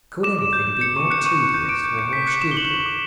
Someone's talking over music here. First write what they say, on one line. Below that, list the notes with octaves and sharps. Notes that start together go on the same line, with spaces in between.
Could anything be more tedious or more stupid?
D6 E7
D6
G6
G6
G6 C#7
C#6
F#6 C#7
C#6
C#6
G6
D6 D7
G6
G6 C#7
G6 B6
F#6 C#7
D6 E7
G7
C#6 F#7
C#6
D6